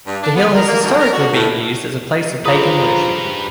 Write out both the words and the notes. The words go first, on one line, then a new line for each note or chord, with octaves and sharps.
The hill has historically been used as a place of pagan worship.
G2
D4
B3
A#4
A#3
D2
A#4
F#4
A2
F3 G4 G#4 B4 A#5 D#6